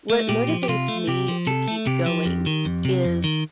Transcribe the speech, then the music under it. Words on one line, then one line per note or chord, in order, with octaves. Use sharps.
what motivates me to keep going is
A3
A#2 G4
F3
G4
C3 F4
A3
C3 G4
F3
C3 A4
A3
C3 G4
F3
F2
D#3
F2
C3
F2
D#3